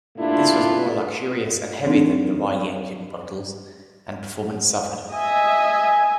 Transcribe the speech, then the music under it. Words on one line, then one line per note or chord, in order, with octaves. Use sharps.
This was more luxurious and heavier than the Riley engined models and performance suffered.
G2 A#2 A3 D4 E4 F4
E3 C4 D4 D#4
D#5 E5 G#5